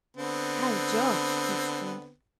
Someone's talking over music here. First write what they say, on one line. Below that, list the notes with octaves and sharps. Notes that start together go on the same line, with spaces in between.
"By Jove!" he exclaimed.
D3 B3 C4